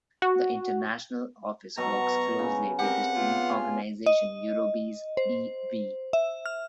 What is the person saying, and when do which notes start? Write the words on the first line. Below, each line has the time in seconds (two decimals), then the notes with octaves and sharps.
The international office works closely with the student organization Eurobiz e.V.
0.22 F#4
1.78 B2 F#3 A#5 C#6
2.39 C#3
2.79 C4 G4 A#4 F#5
3.14 B3 F4
3.49 G#5
4.06 D#5
5.17 C5
6.13 E5
6.46 F6